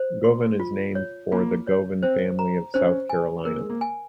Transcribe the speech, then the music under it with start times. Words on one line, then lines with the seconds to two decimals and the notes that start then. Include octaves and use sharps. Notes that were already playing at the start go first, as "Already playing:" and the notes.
Govan is named for the Govan family of South Carolina.
Already playing: C5
0.24 C6
0.60 F4
0.95 C#5
1.32 A#3 F4
1.67 C#5
2.03 C4 C5
2.39 A#5
2.74 C#4 C5
3.09 G#5
3.45 A#3 A#4
3.60 G#3
3.70 A#3
3.81 G#5